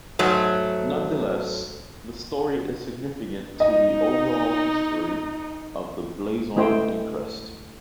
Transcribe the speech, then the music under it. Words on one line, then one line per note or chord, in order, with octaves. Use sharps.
Nonetheless, the story is significant to the over-all history of the blazon and crest.
G#2 F#3 A3
D#4 D#5
G#3 A3 E4 C5 G5